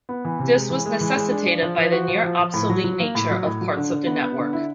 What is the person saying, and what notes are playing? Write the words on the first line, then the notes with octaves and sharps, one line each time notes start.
This was necessitated by the near obsolete nature of parts of the network.
B3
E3
C3
G#3
E3
G#3
E3
G#3
D4
F3
F3
F3
F#4
F3
F3
F3
A2
F#3
F#3
A#3
A2
F#3
A2
F#3
D3
D3
B3
B3
D3
E4